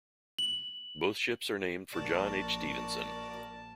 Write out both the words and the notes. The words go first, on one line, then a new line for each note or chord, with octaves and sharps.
Both ships are named for John H. Stevenson.
F#7
A#1 F#4 A#4 D5 A5